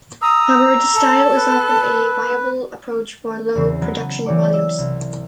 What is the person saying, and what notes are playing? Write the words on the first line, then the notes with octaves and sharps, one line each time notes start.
However this style is often a viable approach for low production volumes.
A#5 D#6 E6
A4
B4
E2 C#3 C4 C7
F#3 B3
E3 G4 C#5 D5 D6
E6
C2